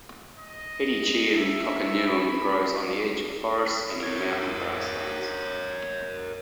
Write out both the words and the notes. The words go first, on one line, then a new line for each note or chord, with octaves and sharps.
"Hedychium coccineum" grows on the edge of forests and in mountain grasslands.
D#5
E5
B5
A#4 C#5